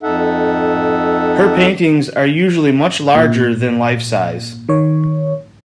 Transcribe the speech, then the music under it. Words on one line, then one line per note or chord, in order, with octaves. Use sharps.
Her paintings are usually much larger than life size.
F2 D#4 A4 E5 F#5
A#2
D#3 C#5